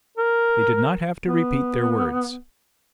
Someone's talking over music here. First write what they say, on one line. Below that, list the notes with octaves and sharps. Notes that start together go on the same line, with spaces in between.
They did not have to repeat their words.
A#4
B3